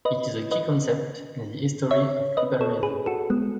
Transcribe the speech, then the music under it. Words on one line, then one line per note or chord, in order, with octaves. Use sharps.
It is a key concept in the history of liberalism.
B4 D#5
B4 D#5
C#5 E5
B4 D#5
A4 C#5
G#4 B4
F#4 A4
G#3 B3